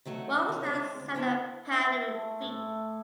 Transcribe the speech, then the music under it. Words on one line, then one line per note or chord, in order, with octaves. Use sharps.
What was that sound of pattering feet?
D#3 F#3 A3 F#4
D#3 C#4
G#3 C4 E4 C#5
D2
D3 B3 E4 C5
E4
C4
A3
A2